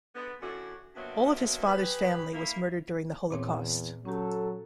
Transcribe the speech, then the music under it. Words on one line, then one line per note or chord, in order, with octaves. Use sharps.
All of his father's family was murdered during the Holocaust.
D3 G#3 B3
F#2 A2 D3 F#4
G2 C3 F#3 A#3 B3
G4 G#4 B4
A#3 E4
E2 A#2 C4 C#5
F#3 C#4 G4 A4